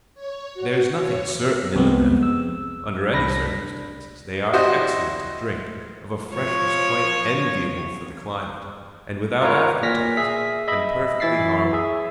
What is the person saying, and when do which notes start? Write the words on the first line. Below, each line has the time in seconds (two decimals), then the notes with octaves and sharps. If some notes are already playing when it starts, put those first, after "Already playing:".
There is nothing certain in the matter. Under any circumstances, they are excellent to drink, of a freshness quite enviable for the climate, and without after-taste, and perfectly harmless.
0.14 C#5
0.54 F#4
0.94 C#5
1.75 C2 F2 G#3 B3 C4
2.23 E6
3.12 C2 D4 B5 A#6
4.53 E4 F#4 G4 C5 D5 D#5
6.33 F3 C#5
9.41 F4 A#4 B4 C#5
9.83 A#2 F6 A#6 B6
10.17 G#4 E5 B6
10.68 D#5 E5 B5
11.20 E3 E4 A6 B6 C7
11.73 G#4 E5